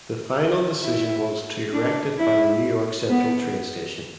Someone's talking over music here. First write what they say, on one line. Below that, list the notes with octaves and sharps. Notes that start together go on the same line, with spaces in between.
The final decision was to erect it by the New York Central train station.
E4
D4
E4
B3